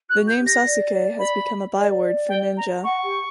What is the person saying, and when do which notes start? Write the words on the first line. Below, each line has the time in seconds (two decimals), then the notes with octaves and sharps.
The name Sasuke has become a byword for ninja.
0.10 F#4 F#6
0.28 G6
0.38 G4
0.46 A#6
0.65 D5
1.19 B5
1.74 D5
2.29 G5
2.57 A#5
2.84 F#5 C#6
3.03 G4